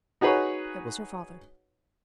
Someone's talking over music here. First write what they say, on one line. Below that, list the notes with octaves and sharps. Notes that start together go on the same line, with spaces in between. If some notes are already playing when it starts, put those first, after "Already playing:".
It was her father.
D#4 F#4 G#4 B4 C#5